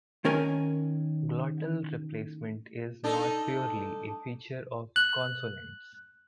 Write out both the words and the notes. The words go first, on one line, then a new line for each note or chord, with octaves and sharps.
Glottal replacement is not purely a feature of consonants.
D#3 C#4 A#4 G#5
D4 D#4 A4
F#6